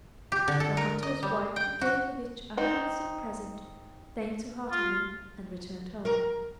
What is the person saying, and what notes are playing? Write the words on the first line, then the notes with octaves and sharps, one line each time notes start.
The hunter's wife gave the witch a handsome present, thanked her heartily, and returned home.
G4
D3
A4
A#4
D#5
G3
G5
F#4
C4 D#4
F4
A#4